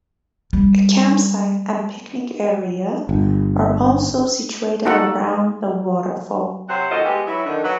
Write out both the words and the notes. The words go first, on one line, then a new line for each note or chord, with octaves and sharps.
A camp site and picnic area are also situated around the waterfall.
G3
G1
A#3 D#4 F#4 A4 F#5
C3 F#3 C5 F#5
D#2 F4 F#4 A4 C5 D#5
G#3 B3 G4
F#3 E4 B4 C#5
D3 D#3
F#3 F#4 B4